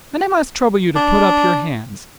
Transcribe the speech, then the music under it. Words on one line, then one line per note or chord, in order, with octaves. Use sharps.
And--I must trouble you to put up your hands.
D4